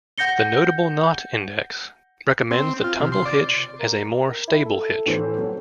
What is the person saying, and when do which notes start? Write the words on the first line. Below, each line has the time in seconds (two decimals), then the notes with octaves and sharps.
The Notable Knot Index recommends the tumble hitch as a more stable hitch.
0.18 F#5 G6 A#6 C#7 G7
2.51 C4
2.84 F4
3.00 C3
3.12 C6
3.25 D5
3.79 A#4
4.48 E4
4.66 A4
5.06 A2 E3 C5
5.38 F#3